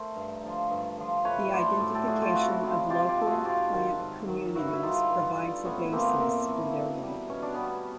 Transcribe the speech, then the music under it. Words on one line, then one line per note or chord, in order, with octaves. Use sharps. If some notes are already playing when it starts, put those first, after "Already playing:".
The identification of local plant communities provides a basis for their work.
Already playing: A3 A#4 C5
G2
D3 F3
G2
D3 F3
A2 B4 C#5
F#3 A3 C5 D5
A2
G4 A4
F#3 A3 F#4 G#4
F4 G4
C3 E4 F#4
F3 G#3
C3 F4 G4
F4 G4
F3 G#3 A4
F#4 G#4
G#2 F4 G4
D#3 F#3
G#2
D#3 F#3
G2 E4 F#4
E4
D3 G3 D#4 F4
G2
D3 G3
A2 B3 C#4
C#4
E3 A3 A#3 C4
B3
A2 A#3 C4
E3 A3
B2
G3
B2 C#4
D4
G3 B3 C#4